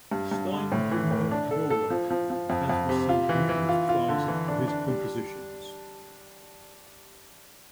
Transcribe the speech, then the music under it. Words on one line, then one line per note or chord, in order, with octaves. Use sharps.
Steingrimur Rohloff has received numerous prizes for his compositions.
G2
G2
D3
A2
E3
A2
D4
A4
A4
F3
F3
F3
F2
F2
C3
F4
E3
E3
F4
F4
D3
E3
D4
D4
G3